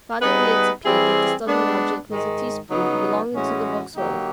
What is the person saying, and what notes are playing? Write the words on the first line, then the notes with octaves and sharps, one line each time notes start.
Finally it appeared that the stolen object was a teaspoon belonging to the Vauxhall.
G3 B3 D#4 G#4 B4
E3 G3 C4 E4 G#4
G#3 B3 D4
G#2 D#3 G#3
C#3 F#3 B3 D#4
A2 E3 G#3 C#4 F#4
D3 F#3 A#3 D#4 G4